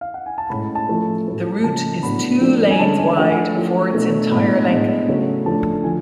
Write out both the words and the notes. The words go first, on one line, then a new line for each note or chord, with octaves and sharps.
The route is two lanes wide for its entire length.
F5
F#5
G#5
A5
A2 G#3 C#4 B5
A5
F3 A3 C#4
A2 F#3 A3 C#4
C#3 F3 G#3 A5
A2 F#3 B3 D4 B5
F3 A3 D4
G#5
D3 G#3 C#4 A5
G#5
F3 A3 D4 F#5
G#5
F3 A3 C#4
B2 A3 D4
A2 G#3 B3 D4 B5
A2 G#3 B3 D4
C#3 F#3 A3 C#4
F3 A3 D4 A5
D3 F3 G#5